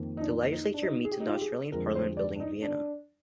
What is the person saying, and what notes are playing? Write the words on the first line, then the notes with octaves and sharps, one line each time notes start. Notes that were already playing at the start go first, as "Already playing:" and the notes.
The legislature meets in the Austrian Parliament Building in Vienna.
Already playing: F2 D#3 A#3
D#4
D4
D#4
D4
D#4
G#4
G4
D#4
F4
G4
G#4
F2 D3 F3 G#3 A#4
C5
D5
D4
D#4
D4